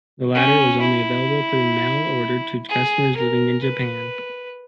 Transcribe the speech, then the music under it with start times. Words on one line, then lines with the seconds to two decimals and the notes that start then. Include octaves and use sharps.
The latter was only available through mail order to customers living in Japan.
0.34 C#4
0.80 E4
2.69 G#4
3.16 A#4
3.63 B4